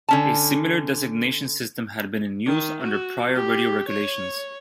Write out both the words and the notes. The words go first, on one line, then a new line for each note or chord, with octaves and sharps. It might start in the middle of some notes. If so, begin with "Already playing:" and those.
A similar designation system had been in use under prior Radio Regulations.
D3 C#4 A5
D#3
F#4
G4
C#5